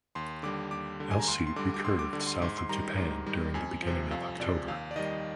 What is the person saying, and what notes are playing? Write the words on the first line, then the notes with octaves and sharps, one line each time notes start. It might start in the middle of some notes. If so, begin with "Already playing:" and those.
Elsie recurved south of Japan during the beginning of October.
D#2 C6
D3 G3 D6
D#2 D6
D3 G3
G#5
A#5
D2 C6
C6
D3 G3 D6
D6
D2 C6
D6
D3 G3
C6
G#2 C6
C6
D#3 G3 A#5
G#2
D#3 G3
F2 G#5
C3 F3
F2 F5
C3 F3 D5
D#2 F5
D5
D#3 G3 D#5